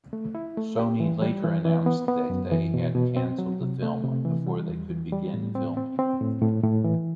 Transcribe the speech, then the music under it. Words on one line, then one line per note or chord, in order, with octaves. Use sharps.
Sony later announced that they had cancelled the film before they could begin filming.
A3
E4
A3
G4
E3
G3
E3
E3
B3
B3
F#2
E3
B2
B2
C4
F#3
C3
A3
C3
E3
G3
E2
E3
G3
A2
C4
C4
C4
A2
A2
A2
E3